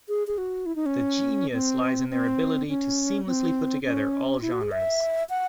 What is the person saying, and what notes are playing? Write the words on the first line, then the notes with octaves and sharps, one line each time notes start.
The genius lies in their ability to seamlessly put together all genres.
G#4
G#4
F#4
E4
D#4
C#4
C4
C4
C#4
C4
C#4
E4
F#4
G#4
E5
F#5